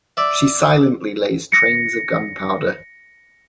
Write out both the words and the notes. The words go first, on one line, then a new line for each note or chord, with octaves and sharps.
She silently lays trains of gunpowder.
D5 E5
A#6 C#7